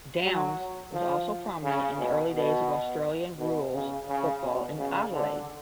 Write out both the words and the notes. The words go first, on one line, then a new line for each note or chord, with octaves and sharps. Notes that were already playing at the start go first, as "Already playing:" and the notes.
Downs was also prominent in the early days of Australian rules football in Adelaide.
F#3
F3
C#3
B2
B2
B2
C#3
C#3
B2
C#3
D3